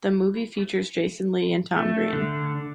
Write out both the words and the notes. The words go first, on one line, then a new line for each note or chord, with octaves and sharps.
The movie features Jason Lee and Tom Green.
A3
D3